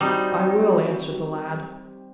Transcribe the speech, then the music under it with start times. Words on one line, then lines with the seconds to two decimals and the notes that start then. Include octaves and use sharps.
"I will," answered the lad.
0.01 G3 C4 D#4 F#4 G4